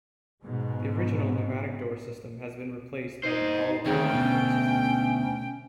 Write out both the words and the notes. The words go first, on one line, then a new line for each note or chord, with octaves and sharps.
The original pneumatic door system has been replaced by an all-electric door system.
G#2 B2
D#4 C5 D#5
D2 D#3 C4 C#4 G#4 G5
B2 C#4